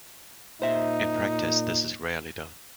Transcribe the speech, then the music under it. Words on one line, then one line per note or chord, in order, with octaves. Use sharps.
In practice, this is rarely done.
A#2 D#4 C5 E5